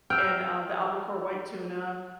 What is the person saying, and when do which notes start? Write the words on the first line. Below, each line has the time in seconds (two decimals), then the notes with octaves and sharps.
and, um, the Albacore white tuna,
0.10 G5 E6 F6